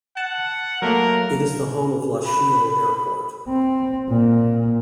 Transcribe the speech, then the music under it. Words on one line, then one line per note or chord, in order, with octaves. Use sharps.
It is the home of Lashio Airport.
F#5 A5
F#3 A3 A#3 A#4
B5
C4
A#2